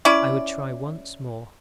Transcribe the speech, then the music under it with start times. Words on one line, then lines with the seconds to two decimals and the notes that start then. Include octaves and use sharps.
I would try once more.
0.05 C#4 E4 D5